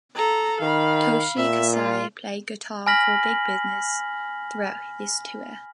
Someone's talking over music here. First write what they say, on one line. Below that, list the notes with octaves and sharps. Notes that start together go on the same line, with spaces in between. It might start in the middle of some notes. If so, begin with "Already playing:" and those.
Toshi Kasai played guitar for Big Business throughout this tour.
A4 A#5
D#3 F5 B5
A#2 E5
F4
G#5 B5 F6 A#6 B6 F#7